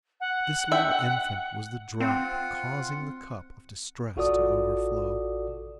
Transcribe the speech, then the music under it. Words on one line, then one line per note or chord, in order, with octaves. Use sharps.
This little infant was the drop causing the cup of distress to overflow.
F#5
E5 G5
C4 F4 F#5
A1 F4 F#4 A4 D5 D#6